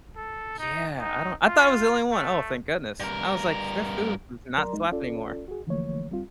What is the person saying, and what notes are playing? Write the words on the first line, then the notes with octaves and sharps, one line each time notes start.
Yeah, I don't I thought it was the only one, oh thank goodness. I was like, "Their food does not slap anymore."
A4
D#4
D#4
F4
A3
G2 A#4
F#3 A#4 D5 A#5 C6
G#3 D#4
C#4 F4 A4 D5
F#4 G#4
D3 E3 F3 A3 A#3 C#5
G3 C4 F4